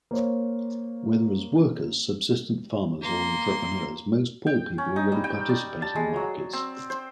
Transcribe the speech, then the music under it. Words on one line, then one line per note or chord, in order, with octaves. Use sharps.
Whether as workers, subsistence farmers or entrepreneurs, most poor people already participate in markets.
A#3 C5 C#5
A#3 C6
G5
C#4
D#4
G3
G5
D5
A5
G#3
F#3
C4
C5